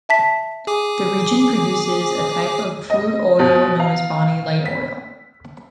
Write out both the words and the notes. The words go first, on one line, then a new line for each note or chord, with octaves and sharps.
The region produces a type of crude oil known as Bonny Light oil.
E5 A5 B6
G#4 G#5 D6
D#5
B2
F5
B6